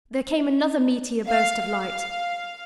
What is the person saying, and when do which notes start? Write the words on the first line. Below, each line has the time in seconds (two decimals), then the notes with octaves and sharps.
There came another meteor burst of light.
1.28 F5
1.61 F5